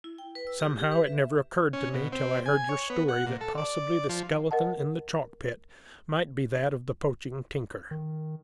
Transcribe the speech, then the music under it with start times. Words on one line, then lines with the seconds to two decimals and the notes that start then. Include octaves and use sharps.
Somehow, it never occurred to me till I heard your story that possibly the skeleton in the chalk-pit might be that of the poaching tinker.
0.04 E4
0.18 G5
0.35 B4
0.47 E6
0.60 G4
0.79 G4
0.92 B4
1.07 E5
1.73 C#4
1.94 B2
2.12 C4
2.46 G#5
2.69 C#5
2.90 B3
3.08 F#5
3.27 A#2
3.41 A4
3.58 D5
4.09 F3
4.51 A#4 D#5 F#5 A5
7.91 D#3